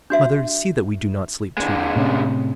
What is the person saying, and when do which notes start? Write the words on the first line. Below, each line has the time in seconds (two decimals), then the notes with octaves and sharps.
Mother, see that we do not sleep too long.
0.10 D4 F#4 E5
1.57 D3 G#3
1.96 A2 C3 C#4